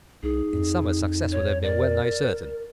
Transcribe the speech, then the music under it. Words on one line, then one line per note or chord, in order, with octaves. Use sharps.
In summer, success would have been well-nigh certain.
C2 D#4 G#4
F2
C#5
A#4 D5